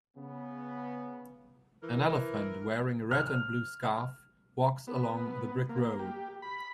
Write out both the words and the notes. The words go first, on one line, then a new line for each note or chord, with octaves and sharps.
An elephant wearing a red and blue scarf walks along the brick road.
C#3 B3
E3 A#4
F6
B3
A#3
G4
B5